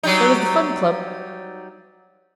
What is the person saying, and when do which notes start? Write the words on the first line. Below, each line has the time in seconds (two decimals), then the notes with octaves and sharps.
There was the Fun Club.
0.03 F#3 G3 D#4